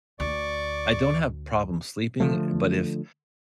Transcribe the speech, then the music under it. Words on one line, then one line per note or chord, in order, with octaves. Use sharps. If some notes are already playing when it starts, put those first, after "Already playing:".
I don't have problem sleeping, but if
D2 D5 C#6 D6
D3 F3 A3